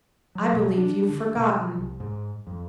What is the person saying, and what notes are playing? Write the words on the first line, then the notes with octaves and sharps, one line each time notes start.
"I believe you've forgotten."
F#3
B2
D4
D3
B2
C2
G#2
F2